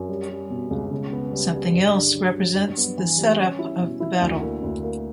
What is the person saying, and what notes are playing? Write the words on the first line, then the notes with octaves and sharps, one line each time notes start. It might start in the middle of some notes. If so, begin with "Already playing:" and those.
"Something Else" represents the setup of the battle.
Already playing: F#2
G3
G3
B2
C#2
C#3
B3
G3
G3
G2
D3
F#3
F#3
G2
B3
E3
G3
C#4
E4
B2
E4
D2
A#3
D2
A#3